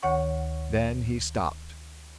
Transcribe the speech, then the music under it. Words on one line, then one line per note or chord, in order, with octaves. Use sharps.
Then he stopped.
D2 D#3 C#5 F#5 C#6